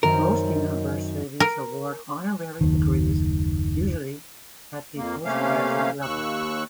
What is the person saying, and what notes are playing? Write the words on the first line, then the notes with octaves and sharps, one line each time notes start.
Most universities award honorary degrees, usually at the postgraduate level.
F#2 D#3 C4 A#4
A#4
F#1 D#2 D#3
F2 A#3
C3 A3 A#3 C#4 F5
D#2 C#6 E6 F#6